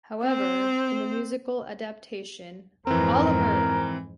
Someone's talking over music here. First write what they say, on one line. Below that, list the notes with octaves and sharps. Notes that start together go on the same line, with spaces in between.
However, in the musical adaptation, Oliver!
C4 C5
F2 G#2 E3 C4 A#4